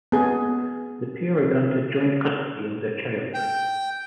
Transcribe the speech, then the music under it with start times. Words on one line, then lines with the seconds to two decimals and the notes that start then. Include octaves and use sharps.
The pair were granted joint custody of their child.
0.12 B3 G#4
3.34 G5